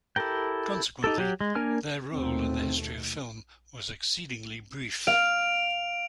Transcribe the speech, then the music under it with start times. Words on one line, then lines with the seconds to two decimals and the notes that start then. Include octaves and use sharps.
Consequently, their role in the history of film was exceedingly brief.
0.16 E4 G4 A4 A#4 G5
1.04 D#4 G4 A4
1.18 F#3 G4
1.41 G#3
1.55 A#3 D4 A#4 G#5 F6
2.11 D#2 B2 A3 C4
5.07 F5 D7 F7